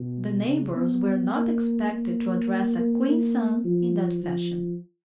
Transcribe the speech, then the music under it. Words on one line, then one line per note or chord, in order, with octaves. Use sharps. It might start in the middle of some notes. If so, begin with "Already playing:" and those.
The neighbors were not expected to address a Queen's son in that fashion.
Already playing: B2
C#3
B3
A#3
A#3
A#3
A#3
F3
F3